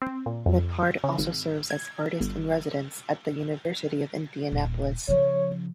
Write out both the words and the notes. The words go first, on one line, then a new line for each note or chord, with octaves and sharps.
Leppard also serves as Artist-in-Residence at the University of Indianapolis.
C4
A#2
F2
C#3
G#1
G#6
G1
D#1
C#3 F3 C#5